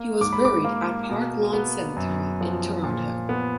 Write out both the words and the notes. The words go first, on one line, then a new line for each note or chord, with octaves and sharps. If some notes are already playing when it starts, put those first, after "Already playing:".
He was buried at Park Lawn Cemetery in Toronto.
Already playing: A#3
G#2 D6
B5
D6
A#3
B2
B3
F#2
F3
A#2
B3